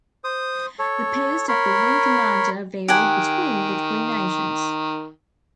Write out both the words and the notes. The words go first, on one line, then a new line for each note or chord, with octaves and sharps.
The post of the Wing Commander varied between the three nations.
C5 D#6
A4 C#5
A#4 C#5 B5 C6
D#3 G4 F#5 G#5